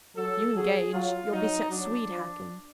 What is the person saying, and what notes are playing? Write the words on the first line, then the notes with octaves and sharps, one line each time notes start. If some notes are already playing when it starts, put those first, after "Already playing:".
If you engage, you'll be set swede-hacking.
F#3 A4
F#3 G#4
F#3 F4
F#3 D#4
F#3 D4
F3